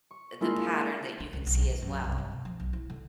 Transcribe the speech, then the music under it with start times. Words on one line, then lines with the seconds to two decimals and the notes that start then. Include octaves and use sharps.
the pattern that you can see as well,
0.11 C#6
0.41 G#3 A#3 D4 E4 F4
1.20 A#3
1.33 C#2
1.46 B1
1.62 D#3
1.82 F#2
2.04 C2
2.18 G2
2.32 B2
2.45 F3
2.60 B1
2.73 E4
2.90 D3